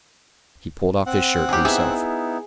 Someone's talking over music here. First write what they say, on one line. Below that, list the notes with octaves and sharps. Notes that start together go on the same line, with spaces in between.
He pulled off his shirt, himself.
C4 F#5
C#4 D#4 G4 G#4
B3 D#4 E4 G#4 E5